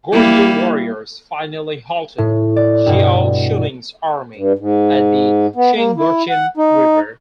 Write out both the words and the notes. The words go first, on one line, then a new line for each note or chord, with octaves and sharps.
Goryeo warriors finally halted Xiao Sunning's army at the Cheongcheon River.
G3 A#3 E4
A2
D5
G2 B2
G2
G#2
B3
A#3
E4
F#5
D#4